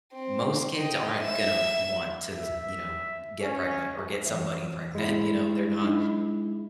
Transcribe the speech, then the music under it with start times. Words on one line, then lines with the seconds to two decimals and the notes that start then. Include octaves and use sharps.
most kids aren't gonna want to, you know, get pregnant or get somebody pregnant. You know? They're not
0.13 C4
0.74 D#5 G5
1.21 E5 E7
2.35 E5
3.41 C#4
4.25 E3 E5
4.95 G#3 E4
5.80 F#3 D4 D#4